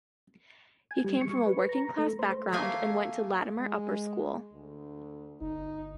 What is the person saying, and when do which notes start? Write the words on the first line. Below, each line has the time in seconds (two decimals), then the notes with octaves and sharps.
He came from a working-class background and went to Latymer Upper School.
0.91 G#5
1.04 G3
1.21 C#6
1.46 B4
1.69 A#5
1.98 A3
2.19 C5
2.53 A3 A#3 F5 G#5
3.58 G#3
4.53 D2
5.41 G1 D#4